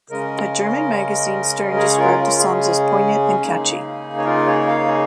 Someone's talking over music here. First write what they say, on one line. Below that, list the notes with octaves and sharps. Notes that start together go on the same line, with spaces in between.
The German magazine "Stern" described the songs as poignant and catchy.
C#3 G#3 C#4 A#4 D#5
G#4 C#5
F4 A#4
F4
G#4
C#3 A#3 D#4
C#5
F4 A#4
G#4 C#5
C#5 F5
G#4 C#5